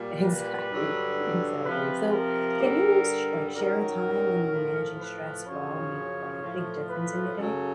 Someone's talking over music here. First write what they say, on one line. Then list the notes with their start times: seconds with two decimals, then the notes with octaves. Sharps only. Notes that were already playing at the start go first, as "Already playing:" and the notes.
Exactly, exactly. So, can you sh like, share a time when managing stress well made, like, a big difference in your day?
Already playing: A#2 G3
0.22 B4
0.70 G2 D3 F#3
1.65 C3 F3 B4
2.13 A#4
2.60 G2 D3 G3
3.55 F#2 D#3 F#3 A#4
4.51 A2 F3
4.99 B4
5.46 F#2 C#3 F3 C#5
6.41 A2 F3
6.89 B4
7.36 F#2 C#3 F#3 A4